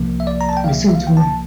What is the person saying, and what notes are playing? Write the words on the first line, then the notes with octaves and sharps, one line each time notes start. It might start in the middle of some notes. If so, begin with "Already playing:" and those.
Listen to me!
Already playing: C2 C3 F3 A#3
E5
D5
A#5
A5
G5
F5
E5
E5
F5
G5
A5